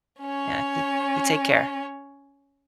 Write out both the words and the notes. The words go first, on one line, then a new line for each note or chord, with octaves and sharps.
Yeah. You you take care.
C#4 C#5